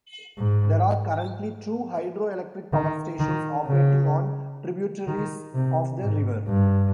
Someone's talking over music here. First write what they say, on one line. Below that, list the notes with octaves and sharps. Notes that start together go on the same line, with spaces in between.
There are currently two hydroelectric power stations operating on tributaries of the river.
G#2
D#3
D#3
C#3
D#3
C3
G#2
G2